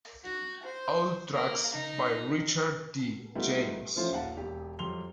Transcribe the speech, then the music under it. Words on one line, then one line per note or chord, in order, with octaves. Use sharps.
All tracks by Richard D. James.
F#4
C5
A#3
D#4
G3 A3 B3 D#4 F4 F#4
E3 F3 A3 C#4 F4 C5
D#1 D#2 F5 F#5 A5
E1 G4
F2 F#3 G3 C6 F7 G7